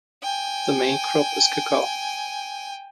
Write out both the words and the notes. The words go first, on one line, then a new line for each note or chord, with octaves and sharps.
The main crop is cocoa.
G5 G#5